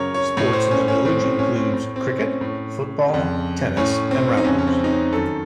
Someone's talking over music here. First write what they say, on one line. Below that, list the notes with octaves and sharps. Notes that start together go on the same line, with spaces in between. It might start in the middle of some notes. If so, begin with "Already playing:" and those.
Sports in the village includes cricket, football, tennis, and rounders.
Already playing: F#2 C#3 A#4 C#5
C#5
A2 C#5
C5
C#4
C#4
A2 C4
C#4
C#4
C4
A2
C4
C#4
A2
C#3
F2
A2 C#4
C4
D#4
F2 C#4
C#3
C#4
C4
D#4
C#4
F#2 D#3 A4